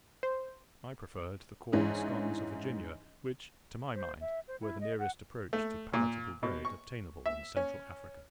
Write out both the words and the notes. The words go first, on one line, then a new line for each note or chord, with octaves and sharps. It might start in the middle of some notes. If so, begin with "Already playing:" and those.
I preferred the corn scones of Virginia, which, to my mind, were the nearest approach to palatable bread obtainable in Central Africa.
C5
G#2 E3 C#4 D4
C5
E5
C5
E4
D#5
F#5
A3
A#2
B2
C#6
E5
C#4